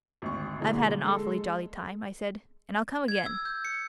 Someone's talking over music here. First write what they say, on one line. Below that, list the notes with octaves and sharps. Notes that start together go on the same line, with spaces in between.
"I've had an awfully jolly time," I said, "and I'll come again."
G#1 D2 C#6
B2 D3 E3 G#3 A#3 B3
G#3 A4
G#6
E6
G6
C#7